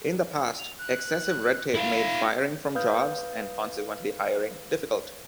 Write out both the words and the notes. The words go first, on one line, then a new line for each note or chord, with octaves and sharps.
In the past, excessive red tape made firing from jobs, and consequently hiring, difficult.
F7
F#6
E4 F5
A#6
B4 F5 D#6 F6 G6